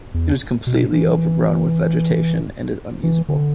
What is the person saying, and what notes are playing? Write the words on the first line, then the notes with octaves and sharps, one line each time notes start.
It is completely overgrown with vegetation and is unusable.
E2
B2
E3
E3
D3